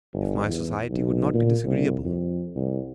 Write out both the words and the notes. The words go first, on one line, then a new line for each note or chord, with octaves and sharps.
"If my society would not be disagreeable."
G1
E2
B1
A#2
C2
F2
C2